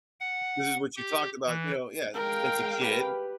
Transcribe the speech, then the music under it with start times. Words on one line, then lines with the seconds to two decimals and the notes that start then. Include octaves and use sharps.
this is what you talked about, you know" yeah, "...since a kid,
0.20 F#5
0.97 G4
1.46 E3
2.14 G#3 A#4 F5 G5
2.81 G4 B4